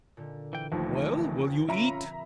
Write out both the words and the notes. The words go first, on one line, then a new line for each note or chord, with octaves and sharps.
"Well, will you eat?"
A#2 D3
E3 G5
D#2 E3 F3 A3
F1
C#4 F4 E5 A#5 B5